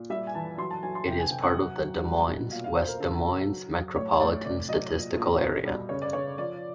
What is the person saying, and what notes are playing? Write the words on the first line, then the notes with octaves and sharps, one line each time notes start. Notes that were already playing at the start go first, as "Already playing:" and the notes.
It is part of the Des Moines - West Des Moines Metropolitan Statistical Area.
Already playing: A#2
G3 E5
G#5
E3 A5
F#3 C6
A5
F#3 G#5
C6
C3 G5
G#5
C3 G5
F#5
F#3
F#3
G3
B2
A#2 F5
F5
A#2 C5
A#4
C#3 A4
F#3
F#3
F#3
A2 C#5
A2 D5
C3 D5
F#3 D#5
A#2
A#2
B2
G3
C#3 C#5
D5
C#3 C#5
F3 D5